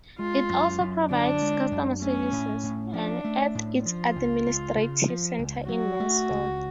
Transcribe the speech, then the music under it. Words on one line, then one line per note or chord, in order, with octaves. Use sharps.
It also provides customer services at its administrative centre in Mansfield.
G#3 F4
F#2
F#2
D3 D4
G#3
F#2
A3 C#4
A2
A2
F3 D4
A3
A2
F3 F4
C#2
C#2
C#3
F3
C#2
F#3 F#4
A3
C#2